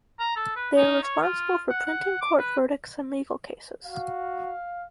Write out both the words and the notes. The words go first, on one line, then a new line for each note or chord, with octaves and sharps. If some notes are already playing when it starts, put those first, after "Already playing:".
They are responsible for printing court verdicts and legal cases.
A#5
A4
B4
D#4
C#5
F4
F#5
F#5
D6
B4
F#4 F5